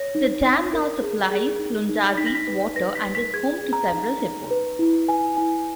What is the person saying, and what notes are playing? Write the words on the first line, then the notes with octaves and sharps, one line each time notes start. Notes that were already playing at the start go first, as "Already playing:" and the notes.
The dam now supplies Lundazi's water and is home to several hippos.
Already playing: C#5 A#6
D#4
D#4
A#4
G#4
G#4
D#4
D#4
D#4 B6
A#6
B6
B4
B4 A#6
B6
B4
B6
G#4 G#6
G#4
A#5
D#4
D#4
B4
E4
B4 G#5
E4 G#5